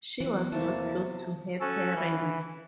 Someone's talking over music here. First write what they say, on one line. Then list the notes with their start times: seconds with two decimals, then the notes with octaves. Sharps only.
She was not close to her parents.
0.20 E3 F3 G3 B3 F#4
0.52 E2 C3 E3 A3 A#3 A5
1.60 C#4 F#4 A4
1.95 E3